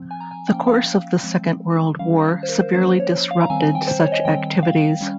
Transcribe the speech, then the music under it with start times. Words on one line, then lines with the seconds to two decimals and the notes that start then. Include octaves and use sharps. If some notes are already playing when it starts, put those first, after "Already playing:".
The course of the second world war severely disrupted such activities.
Already playing: F3 C4
0.11 G#5
0.20 A#5
0.31 G#5
0.48 F3 A#3 C#4 G5
0.62 G5
0.67 F5
0.86 F5
1.24 F3 G#3 C4
1.99 D#3 G3 C#4 F5
2.43 C5
2.49 A#4
2.62 C5
2.74 F3 A#3 C#4 C5
2.87 C5
3.00 C#5
3.31 F5
3.41 A#5
3.50 D#3 G3 C4 G#5
3.62 G#5
3.75 G5
3.88 C5
4.00 C#5
4.12 D#5
4.25 D#3 G3 C4 G5
4.63 F5
5.01 G3 C#4